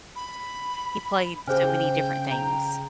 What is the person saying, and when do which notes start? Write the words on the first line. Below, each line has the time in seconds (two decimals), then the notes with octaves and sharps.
he played so many different things."
0.15 B5
1.47 C#3 G#4 C5 G5 G#5 F6
2.31 A#5